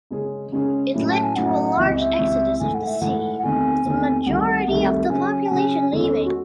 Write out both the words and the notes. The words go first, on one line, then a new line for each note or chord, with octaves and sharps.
It led to a large exodus of the city, with a majority of the population leaving.
C#3 G#3 C#4 G#4
C#3 G#3 C#4 G#4
A2 F#3 C#4 E4
A5
G#5
A2 F#3 C#4 E4 F#5
C#2 C3 E3 E5
D#5
E5
C#2 C3 E3
G#2 E3 A3 G#5
F#5
E5
G#2 E3 A3 F#5
E2 C3 D#3 A3 C4 G#5
E2 C3 D#3 A3 C4
G#5
C2 C3 D#3 A3 F#5
C2 C3 D#3 A3 E5
C#3 F#3 C#4 G#4 G#5
A5
C#3 F#3 C#4 G#4 G#5
E2 D#3 G#3 C#4 A4
F#4